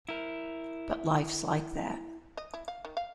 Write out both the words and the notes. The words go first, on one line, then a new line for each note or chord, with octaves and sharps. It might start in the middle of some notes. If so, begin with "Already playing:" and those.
But life's like that.
E4 A#4
D#5
E4
F5
D#3
F5